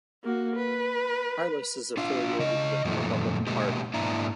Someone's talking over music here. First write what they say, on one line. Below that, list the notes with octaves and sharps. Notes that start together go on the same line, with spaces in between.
Harless is affiliated with the Republican Party.
A#3 F#4
B4
D4 F4 F5
C#3 D#5
F#2 A#2 D#3 F3 A3
B2 G#3 A#3 G4
G#2 A#3 D4 E4 E5 A#5